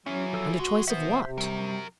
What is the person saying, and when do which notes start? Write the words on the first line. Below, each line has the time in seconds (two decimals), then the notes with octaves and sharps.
And a choice of what?
0.06 F#3 C#4 E4 G#4
0.33 F3 A4 E6
0.60 G#3 F#4 C#6
0.88 E3 B3 F#4 C5 E5
1.25 C3
1.38 F#3 G3 A#4